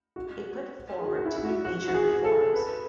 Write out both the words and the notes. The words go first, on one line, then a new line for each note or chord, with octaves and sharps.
It put forward two major reforms.
F#4
G#4
F#4
F#4
E4
E4
F#4
F#4
F#4
G#4
A4
B4
B4